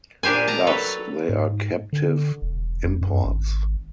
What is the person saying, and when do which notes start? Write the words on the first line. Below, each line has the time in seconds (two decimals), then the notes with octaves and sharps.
Thus, they are captive imports.
0.23 A#2 D4 G4 C5 G#5
0.47 A5 A#5
0.67 F#3 A4 B4
1.29 G#2
1.93 D3
2.42 E1
2.84 F2
3.01 F#2
3.25 G#1